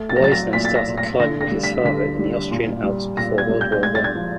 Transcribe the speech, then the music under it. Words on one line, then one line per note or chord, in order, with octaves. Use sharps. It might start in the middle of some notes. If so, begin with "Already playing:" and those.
Wiessner started climbing with his father in the Austrian Alps before World War One.
Already playing: A3
A6
A#6
F#3 A6
A#6
A#2 B6
A6
A#6
A#2
A#6
D3 A#6
A#6
G3
B6
D3 B6
G3
A#2
G3
A#2 A#6
G#6
G3
G6
G6
G#3 G#6
A6
G#6
F3